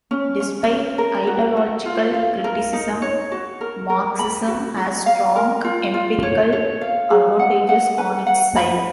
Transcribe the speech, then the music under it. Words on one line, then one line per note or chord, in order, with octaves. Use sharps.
Despite ideological criticism, Marxism has strong empirical advantages on its side.
C#4
C#4
C#4
A#4
F#4
F#4
F4
F5
A#4
D#4
C#5
F#4
A#4
A#4
B5
F#4
F#4
F5
A#4
F4
F4
C#5
C#5
F5
G#4
F#5
F#5
B4
F#5
B5